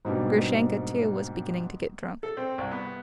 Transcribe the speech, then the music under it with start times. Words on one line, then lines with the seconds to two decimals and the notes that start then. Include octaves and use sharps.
Grushenka, too, was beginning to get drunk.
0.05 G#2 B2 G3 A#3 B3 D4
2.23 A4
2.37 C4
2.58 C2
2.71 B3